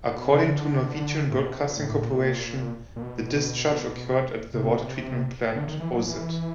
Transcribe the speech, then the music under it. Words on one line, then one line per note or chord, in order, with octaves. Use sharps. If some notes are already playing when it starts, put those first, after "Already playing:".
According to Norwegian Broadcasting Corporation, the discharge occurred at the water treatment plant Oset.
B2
C3
C#3
D3
A2
A#2
B2
C3
B2
A2
A2
A#2
A#2
B2
C3
D3
D#3
E3
F#3
E3